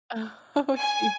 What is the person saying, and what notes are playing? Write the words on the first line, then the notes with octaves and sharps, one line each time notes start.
Oh, gee.
G#5